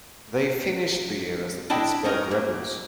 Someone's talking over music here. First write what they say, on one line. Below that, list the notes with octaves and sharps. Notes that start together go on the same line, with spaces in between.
They finished the year as the Pittsburgh Rebels.
D4 E4 D#5 G5
C#4 D#4 A#4 D#5
A#3